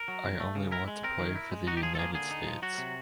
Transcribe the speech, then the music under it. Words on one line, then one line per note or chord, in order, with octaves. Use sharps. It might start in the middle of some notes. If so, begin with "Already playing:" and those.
I only want to play for the United States.
Already playing: A#4
F#3
F2
A3
C#3
E4 A#4
G#3
C4 A#4
D#3
E4
G#3
D#4 F#4
G4
F3 G#4
A4
A#3 G#4
D3 G#4
D#4
F3
F#3 F#4
C3